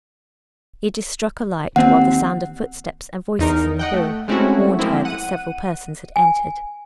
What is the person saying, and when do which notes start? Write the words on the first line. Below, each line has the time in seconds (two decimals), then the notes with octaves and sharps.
Edith struck a light, while the sound of footsteps and voices in the hall warned her that several persons had entered.
1.76 D#2 C4 F#5
3.39 E2 D#4 A#4
3.79 D#5 F#5 G5
3.94 A3
4.28 G#3 A3 C4 C#4 E4 F#4
4.79 F3 G#3 A#3 C4 E4
5.05 F#5 D#7
6.16 G#5